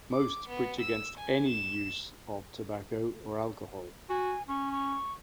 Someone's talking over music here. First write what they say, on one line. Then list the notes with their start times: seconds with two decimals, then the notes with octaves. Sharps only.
Most preach against any use of tobacco or alcohol.
0.11 D6
0.48 B3
0.80 E6
1.17 G#5
1.49 E7
4.09 F#4 G#5
4.48 C#4 C#6
4.72 C#6